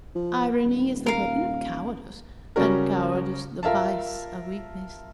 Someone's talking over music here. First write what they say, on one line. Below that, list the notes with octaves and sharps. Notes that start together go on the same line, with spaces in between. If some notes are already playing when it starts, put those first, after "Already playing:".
Irony is the weapon of cowardice, and cowardice the vice of weakness.
F3
D#1
A#4 F5
C#3 G3 C#4 F#4 A#4
F4 A#4 E5 F5 A5